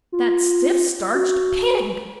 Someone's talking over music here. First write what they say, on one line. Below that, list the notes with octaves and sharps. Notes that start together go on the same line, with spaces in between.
'That stiff-starched PIG!'
F4
F#4